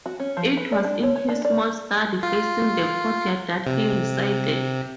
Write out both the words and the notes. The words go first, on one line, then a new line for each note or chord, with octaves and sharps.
It was in his small study facing the courtyard that he resided.
F#4
C#4
F3
B4
D5
D4
C#5
C#5
D4
D5
F4
C3